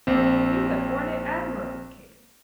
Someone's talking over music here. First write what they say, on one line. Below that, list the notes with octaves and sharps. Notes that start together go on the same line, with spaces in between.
You have borne it admirably, Katy.
A#1 C4